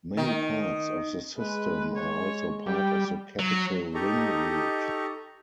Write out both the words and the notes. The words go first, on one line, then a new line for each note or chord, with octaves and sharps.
Many parts of the system are also part of the Capital Ring route.
D#3
G#3 B4
C#5
G3 G5
F#3
D#4 G4 A4 D#5 A#5 C#6